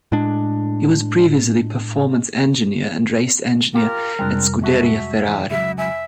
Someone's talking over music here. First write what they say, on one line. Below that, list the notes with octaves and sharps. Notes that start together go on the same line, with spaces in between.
He was previously Performance Engineer and Race Engineer at Scuderia Ferrari.
A2 G#3 D4
F4 G4 A#4
F2 C3 G3 G#3 C4 D4
G#3 F#4 E5 A5
E3
C#2 F#3 E5
E5 G#5